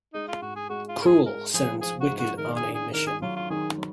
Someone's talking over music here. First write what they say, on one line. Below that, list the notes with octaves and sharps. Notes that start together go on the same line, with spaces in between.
Kruel sends Wikked on a mission.
G#3 D#4
F4
G#2 F#4
G#4
G#3 F#4
F4
G#2 A#4
G#4
G#3 A#4
F3 G#4
F3 G#4
F#4
G#2
F#4
D#3 A#4
G#4
D4
G#4
D#3 A#4
G#4
F#3 F4
F4
D#3 G#4
F#3